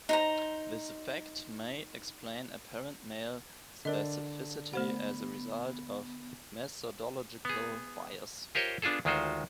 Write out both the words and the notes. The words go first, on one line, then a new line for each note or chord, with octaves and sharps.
This effect may explain apparent male specificity as a result of methodological bias.
D#4 C5 A#5
D3 D4 A#4 D#5
A3 B3 C5 F#5
B3 G#4
F4 G4 A#4 C5 C#5 D#5
B3 D4 F4 G#4 A4
D2 D#3 G#3 F4 F#4 C5